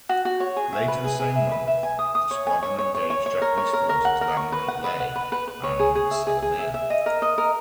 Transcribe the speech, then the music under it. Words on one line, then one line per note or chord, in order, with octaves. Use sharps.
Later the same month, the squadron engaged Japanese forces landing at Lae and Salamaua.
F#4
F#4
C#5
G#4
E5
B4
G#4
G#4
E5
B4
E5
G#5
D#6
D#6
C#5
G#5
C#5
C#5
C#5
C#5
C#5
A#4
C#5
A#4
A#4
F#5
A#4
C#6
B4
F#5
B4
F#5
B4
B4
B4
C#5
G#4
G#4
E5
G#4
G#4
E5
E5
D#5
A#4
D#5
A#4